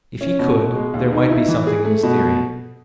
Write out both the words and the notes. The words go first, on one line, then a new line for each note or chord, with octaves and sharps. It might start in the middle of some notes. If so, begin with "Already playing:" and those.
If he could, there might be something in his theory.
C#4
B2
B2
G#3
D#2
D#4
E4
E3
G#4
A3
B2